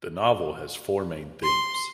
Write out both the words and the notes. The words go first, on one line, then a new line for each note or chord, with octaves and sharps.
The novel has four main themes.
C6